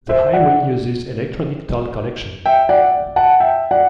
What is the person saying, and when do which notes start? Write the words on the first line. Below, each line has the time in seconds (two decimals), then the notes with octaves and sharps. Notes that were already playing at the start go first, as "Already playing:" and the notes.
The highway uses electronic toll collection.
0.09 C5 E5
0.33 D5 F#5
2.46 E5 G5
2.69 D5 F#5
3.16 F#5 A5
3.40 E5 G5
3.71 D5 F#5